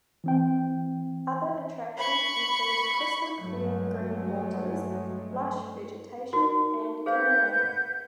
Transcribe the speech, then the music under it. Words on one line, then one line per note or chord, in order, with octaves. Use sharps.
Other attractions include crystal-clear green waters, lush vegetation and canoeing.
E3 C4 G5
B5 C#6
G2 F#3 G#3 A3
D#4 F#4 A#4
G#4 B4 C5 F5 F#5 G6